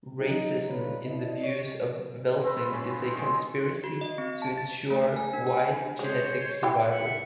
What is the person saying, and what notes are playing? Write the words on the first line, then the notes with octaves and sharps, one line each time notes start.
Racism, in the views of Welsing, is a conspiracy "to ensure white genetic survival".
F#3 D#4
D3 G3 F4 B4 C#5
D4 E4 C5 D#5
C#5
C4 B4
F4
C#3
B3 C4
C5
D#3 G#3
F#4
D#5
C4
A5
A6
A3
G#5
D4
G#5
G#3 C5 C#5
E4 G5
E5 F#5